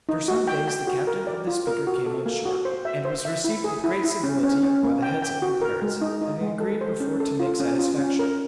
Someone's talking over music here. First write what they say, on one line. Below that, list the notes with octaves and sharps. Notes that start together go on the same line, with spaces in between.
After some days the captain of the Speaker came on shore, and was received with great civility by the heads of the pirates, having agreed before to make satisfaction.
D#4
F#4
G5
G5
F#4
A#4
D5
F4
A#4
F#4
A4
A#3
F#4
C5
E5
C5
E5
E4
G#4
E4
E4
C#4
C#4
C#4
A#3
G5
G5
F#4
A#4
G#3
D#4
D#4
G#3
A4
C5
C#4
A4
F4
C#4
F4
C#4
A#4